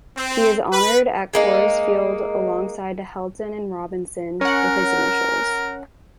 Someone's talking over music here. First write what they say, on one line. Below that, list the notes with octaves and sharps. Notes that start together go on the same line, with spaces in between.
He is honored at Coors Field alongside Helton and Robinson with his initials.
C4
B4
G#3 A#3 D#4
C#4 A#4 F#5